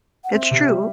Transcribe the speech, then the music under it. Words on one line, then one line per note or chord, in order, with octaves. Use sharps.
It's true.
F#5
C4 E5
C3
G3